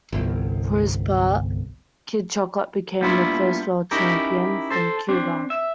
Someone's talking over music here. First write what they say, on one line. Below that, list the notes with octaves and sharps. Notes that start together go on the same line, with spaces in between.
For his part, "Kid Chocolate" became the first world champion from Cuba.
G1 C2
G3 A#3 B3 D4 E4 F4
C#4 D#4 E4 G4 A#4
A4 C5
C4 D4
E5